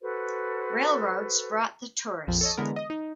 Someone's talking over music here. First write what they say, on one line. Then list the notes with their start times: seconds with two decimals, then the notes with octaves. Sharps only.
Railroads brought the tourists.
0.01 F#4 A4 B4 C5
2.27 A#1 F2 F3
2.41 A4 C#5 D#5
2.57 D3 E3 G#3 B3 A#4
2.76 D#5 D#6
2.90 D#4